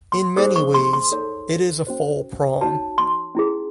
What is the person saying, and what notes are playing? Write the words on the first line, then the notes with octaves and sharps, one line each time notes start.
In many ways, it is a fall prom.
C6
D#4 G#4 C5 D#6
C#6
C6
C6
D#4 A4 C#5
C#4 F#4 C5
D#4 F#4 C#5 A5
C6
C#4 E4 G#4